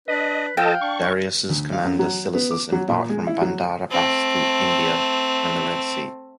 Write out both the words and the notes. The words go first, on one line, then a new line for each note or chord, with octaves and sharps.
Darius's commander, Silacus, embarked from Bandar Abbas to India and the Red Sea.
D4 B4 D#5
F3 A4 D#5 F5 G5 A5
D4 C#6
D2
F5
F#2
F#3
B3
D6
F#3
A#2
G#3
E4
F#3
A3 C4